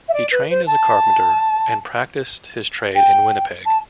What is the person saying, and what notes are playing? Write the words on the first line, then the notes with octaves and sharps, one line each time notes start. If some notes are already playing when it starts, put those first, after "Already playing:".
He trained as a carpenter, and practiced his trade in Winnipeg.
E5
D5
B4
C5
A5
G5
A5